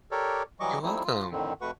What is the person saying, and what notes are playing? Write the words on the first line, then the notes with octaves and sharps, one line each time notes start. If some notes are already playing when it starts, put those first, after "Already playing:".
You're welcome.
G4 A4 A#4 C#5 D5
E3 F#3 G3 D#5 C#6 D6
F3 G3 A3 C4 D#4 E4
F4
F2 A2 D3 D#3 C4
F2 A3 F#4 B4 F#5 C#6